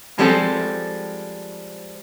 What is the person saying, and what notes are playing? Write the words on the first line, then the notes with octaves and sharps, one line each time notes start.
How do you feel?
F3 G3 G#3 C4 A4